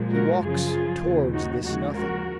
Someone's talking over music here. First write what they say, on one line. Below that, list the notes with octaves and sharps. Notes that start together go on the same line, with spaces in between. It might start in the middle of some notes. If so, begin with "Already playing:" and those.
He walked towards this Nothing.
Already playing: A#2 F3 G#3
F#4 A#4
F#2 C#3 F3 F4 G#4
D#2 C#3 F3
D#4 F#4
D#2 C#3 F3 G#3 D#4 F#4
F#4 A#4